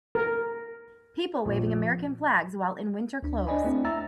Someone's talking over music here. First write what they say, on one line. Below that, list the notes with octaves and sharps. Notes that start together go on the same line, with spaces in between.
People waving American flags while in winter clothes.
A#4
A#1
D2 D4
D4 C5 D5 D#5 G#5 B5
A3 C4 D4 E4
E5 A#5 E6 A6